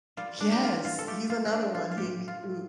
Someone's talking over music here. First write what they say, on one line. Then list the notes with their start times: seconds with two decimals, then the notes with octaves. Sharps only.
Yes, he's another one, he c ooh,
0.17 G3 F4
0.40 D4
0.52 G4
0.63 G3 F4
0.85 F4
0.99 A4
1.07 A3 G4
1.30 F4
1.45 C4
1.53 A3 D4
1.75 F4
1.91 F4
1.97 A2 G4
2.28 F4
2.43 A2